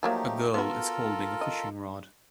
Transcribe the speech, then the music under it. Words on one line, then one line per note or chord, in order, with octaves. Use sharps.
A girl is holding a fishing rod.
F3 F#3 A3 A#3 D#4 G4
B3 F4 F#4 A4 A#4
D#5